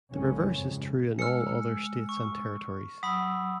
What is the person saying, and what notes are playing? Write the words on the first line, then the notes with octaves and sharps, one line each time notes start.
The reverse is true in all other states and territories.
C2 F#2 C#3 G#3 C4 C#4
F2 G#2 C#3 F3
G#3 E6 F6 C#7
C#6
F#3 B5 D#6 E6